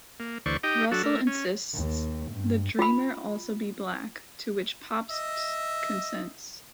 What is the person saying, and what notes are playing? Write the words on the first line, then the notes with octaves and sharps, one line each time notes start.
Russell insists the dreamer also be black, to which Pabst consents.
A#3
D2 E3 C5 D5 C#6
D#4 G4 D#5 G5
F#3 D4 F#4 A4
A3 A#4
C#4
D#2
G2
F4 B5
D#5 E5